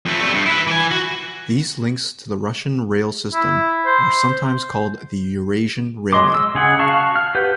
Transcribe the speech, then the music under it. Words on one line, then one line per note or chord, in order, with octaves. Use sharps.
These links to the Russian rail system are sometimes called the Eurasian Railway.
F2 A3
G3 A3
G2
E4 B4
E3 G#5
F#4
E4
C5
F#3 G#3 D#5 C6 D6
E6
C#3 G#4 F#5
F#4 F5 A5 C#6
F6
G4 B4 F#5 G6